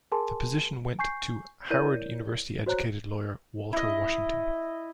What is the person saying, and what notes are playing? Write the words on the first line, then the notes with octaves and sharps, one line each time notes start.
The position went to Howard University-educated lawyer Walter Washington.
G#4 A#4 G#5 A5 C6
G#5 C#6 G6 C7
E4 A#4 C#5 D5 G6 D#7
F#4 C5 C#5 A#5 F#6
E4 D#5